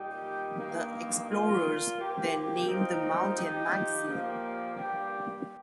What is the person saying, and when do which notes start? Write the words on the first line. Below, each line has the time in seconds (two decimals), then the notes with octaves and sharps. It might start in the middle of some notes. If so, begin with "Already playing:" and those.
The explorers then named the mountain "Magazine".
Already playing: A#2 G3 D#4 G4
0.57 G2 D#3 A#3
1.27 A#2 A#3 F4
1.96 F3 A#3 G4
2.66 A#2 F3 C4 D#4
3.36 F3 D#4 G4
4.06 A#2 F3 A#3 G4
4.75 G2 G3 A#3 G4